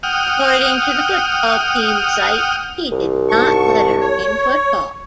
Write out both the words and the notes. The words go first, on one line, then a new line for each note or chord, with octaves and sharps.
According to the football team site, he did not letter in football.
F#5 G5 D#6 F6
C2
G#2 A5 C#6
C#5
C#6